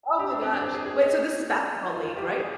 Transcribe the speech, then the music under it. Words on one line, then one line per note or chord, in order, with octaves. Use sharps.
Oh my gosh. Wait, so this is basketball league, right?
G4
D4
C4
D4
G#4
G#4
D#5
F4
F4
G4
G4
G#4